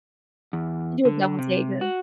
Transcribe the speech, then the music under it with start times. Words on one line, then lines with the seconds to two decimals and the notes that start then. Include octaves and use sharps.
Do a double taker.
0.53 E2
1.05 D3
1.39 C3
1.81 F#4